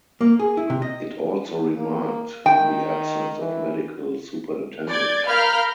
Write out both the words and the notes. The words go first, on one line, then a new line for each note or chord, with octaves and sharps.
It also remarked the absence of medical superintendent.
A#3
G#4
E4
C3
D#5
A#3
D#3 G5
E3
D5 G6 G#6
A#4 F5 B5 F6 G6